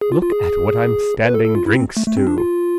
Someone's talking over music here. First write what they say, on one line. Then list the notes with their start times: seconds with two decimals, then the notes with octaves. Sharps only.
Look at what I'm standing drinks to!
0.01 G#4
0.12 F4
0.22 F4
0.32 G#4
1.25 B4
1.34 A4
1.45 A4
1.55 F4
1.66 E4
1.76 C4
1.97 A3
2.07 A3
2.17 C4
2.27 D4
2.38 F4